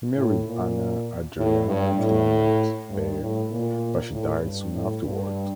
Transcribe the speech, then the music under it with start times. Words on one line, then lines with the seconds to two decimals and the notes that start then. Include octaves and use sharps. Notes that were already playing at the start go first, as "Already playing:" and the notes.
He married Anna Adriana Clement there, but she died soon afterward.
0.16 A2
0.46 A#2
1.37 A2
1.67 G2
1.98 A2
2.89 G2
3.21 A2
3.51 A#2
4.12 A2
4.43 G2
4.73 A2
5.04 G2